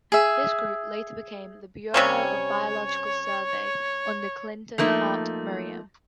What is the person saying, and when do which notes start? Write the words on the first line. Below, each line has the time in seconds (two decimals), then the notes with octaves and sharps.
This group later became the Bureau of Biological Survey under Clinton Hart Merriam.
0.12 G#4 E5
1.94 C3 G3 C#4 C#5
4.78 F3 A3 A#3 D#4